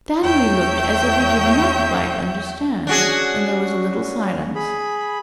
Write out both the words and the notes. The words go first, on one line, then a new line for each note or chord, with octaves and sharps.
Stanley looked as if he did not quite understand, and there was a little silence.
E2 C#5 E5 G5 G6
C#4 D4 F#4 G#4
G#4 B5